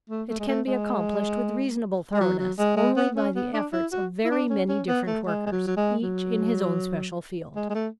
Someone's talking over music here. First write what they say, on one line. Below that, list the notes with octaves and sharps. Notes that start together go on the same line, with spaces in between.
It can be accomplished with reasonable thoroughness only by the efforts of very many different workers, each in his own special field.
A3
A3
G#3
A3
G#3
G#3
F#3
F#3
G#3
G#3
B3
C#4
B3
D4
E4
F#4
E4
D4
C#4
C#4
B3
A3
G#3
G#3
F#3
F#3
G#3
F#3
G#3
G#3
A3